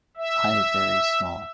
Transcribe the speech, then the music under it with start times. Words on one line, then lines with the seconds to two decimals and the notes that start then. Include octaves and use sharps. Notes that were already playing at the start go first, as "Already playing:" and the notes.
Eye very small.
0.17 E5